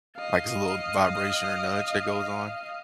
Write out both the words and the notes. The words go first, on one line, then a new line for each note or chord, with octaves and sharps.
like, it's a little vibration or nudge that goes on.
D#5 F5